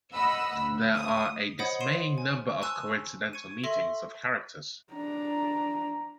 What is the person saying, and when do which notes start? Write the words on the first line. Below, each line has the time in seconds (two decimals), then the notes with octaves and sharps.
There are a dismaying number of coincidental meetings of characters.
0.13 D#5 F#5 B5 E6
0.58 D2
0.95 D#6
1.59 C5 C#5 D#5 F#5 B5 D#6
1.80 C6 C7 C#7 D#7 E7
2.18 G#5
2.62 G#5 A5 C6 C#6 E6 F#6
3.33 C#6 G#6 C#7 D#7
3.63 A4 E5 C6 C#6 A#6
4.93 D4 A#5